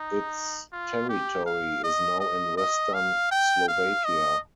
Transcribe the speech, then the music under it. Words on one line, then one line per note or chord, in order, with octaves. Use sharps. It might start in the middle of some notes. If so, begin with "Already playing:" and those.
Its territory is now in western Slovakia.
Already playing: D#4
F4
G4
F5
D#5
D#5
D#5
F5
G5
F5
D#5